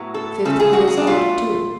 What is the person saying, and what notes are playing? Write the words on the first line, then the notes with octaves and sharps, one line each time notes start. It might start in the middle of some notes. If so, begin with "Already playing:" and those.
Fifty years old, too!
Already playing: A2 F#3 B3
A4
C#3 F3 A3 A4
G#4
F#4
G#4
D4
B2 A3 F4